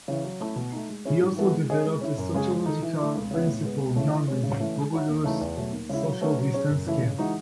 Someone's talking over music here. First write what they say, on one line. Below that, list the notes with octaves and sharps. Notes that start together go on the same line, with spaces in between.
He also developed a sociological principle known as the Bogardus Social Distance Scale.
C#3 E3
F#3
A3 C#4 E4
B2
A3 D#4
G#3
C#4 E4 G#4
G#2
E3 B3 F#4 A4
G#3
C#4 G#4 D#5
G#3
C#4 E4
F#2
C#3 G#3 C#4 G#4
G#3
D#4 A4
E3
A3 E4
C#2
C#3 E3 B3 E4
A2
G#3 B3
C#2
C#3 E3 A3
E3
G#3 C#4
C#3
E3 A3 C#4
G#3
D#4 F#4 C#5 E5
D#2
C#3 E3 A3 D#4
E2
B2 F#3 A3
D#2
C#3 G#3 C#4 E4
F#3
A3 C#4 F#4 B4
F#3
C#4 G#4 C#5
F#2
C#3 E3 A3 E4
C#3
E3 G#3 D#4 F#4